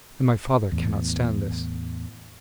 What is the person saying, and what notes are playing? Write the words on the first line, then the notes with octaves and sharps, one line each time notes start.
And my father cannot stand this.
E2 A2